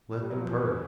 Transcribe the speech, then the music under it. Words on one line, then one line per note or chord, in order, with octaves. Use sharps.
Let them purr.
G3
F#3
F3
D#3 E3 F#3 B3 E4